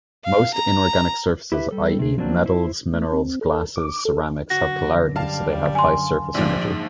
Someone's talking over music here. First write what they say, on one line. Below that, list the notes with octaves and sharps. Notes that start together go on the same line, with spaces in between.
Most inorganic surfaces-i.e., metals, minerals, glasses, ceramics-have polarity so they have high surface energy.
F5
A#5
E4 G4 B4 E5
G3 A4
C3 G#4
F3 F#3 A#3 C4 D4 F#4
E4 C5
A3
C4
A4
D6
A4
F#2 D3 F#4 A#6
G3 F5 A5
G#5 C6
A#1 G#2 F3 G3